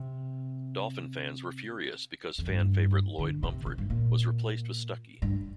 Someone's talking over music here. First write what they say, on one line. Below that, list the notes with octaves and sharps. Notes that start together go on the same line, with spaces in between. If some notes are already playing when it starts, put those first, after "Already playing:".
Dolphin fans were furious because fan favorite Lloyd Mumphord was replaced with Stuckey.
Already playing: C3
F2
G2
D3
C3
C3
G2
A#2
G2